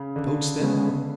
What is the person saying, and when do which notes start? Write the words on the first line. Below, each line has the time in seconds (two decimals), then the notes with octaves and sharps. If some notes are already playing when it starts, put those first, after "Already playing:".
Goats, then?
Already playing: C#3
0.16 D3
0.59 C#3 G#3 B3